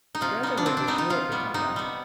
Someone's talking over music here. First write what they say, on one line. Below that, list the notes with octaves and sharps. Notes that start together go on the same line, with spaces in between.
Brother will be sure to come back.
D#4
C3 F4
G3 B3 D#4
D4
C3 C4
D4
G3 B3 D#4
D#4
C3 F4
G3 B3
C3 D#4
G3 B3